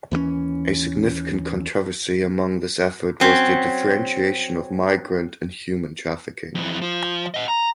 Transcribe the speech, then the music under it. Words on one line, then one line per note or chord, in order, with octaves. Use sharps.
A significant controversy among this effort was the differentiation of migrant and human trafficking.
D#2 E3 F#3 C#4
F#3 C4 C#4
F2 E3
F3
D#5 F#5
A#5